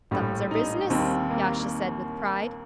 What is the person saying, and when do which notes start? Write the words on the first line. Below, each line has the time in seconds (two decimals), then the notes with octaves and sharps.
"That's our business," Yasha said with pride.
0.11 A#1 A2 G3
0.51 D#4
0.90 D#2 D#3 G3 C4
1.31 A#3